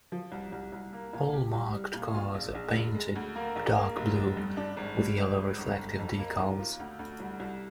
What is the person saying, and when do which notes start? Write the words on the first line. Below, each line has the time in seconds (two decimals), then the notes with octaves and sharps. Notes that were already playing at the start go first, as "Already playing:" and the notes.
All marked cars are painted dark blue with yellow reflective decals.
0.12 F3
0.32 C2
0.52 C2
0.72 C2
0.93 A#3
1.13 A#2
1.33 G4
1.53 C2
1.74 G3
1.93 A#2
2.14 F4
2.34 A#1
2.55 A#1
2.75 F1
2.95 G#3
3.15 D2
3.35 A#3
3.56 A#1
3.76 A#3
3.96 F1
4.16 F1
4.37 G2
4.57 D4
4.77 G#1
4.97 G3
5.17 G#1
5.38 G#1
5.58 G1
5.78 G1
5.98 F2
6.19 A#3
6.38 D#2
6.59 F4
6.80 D2
6.99 D2
7.20 C2
7.40 C2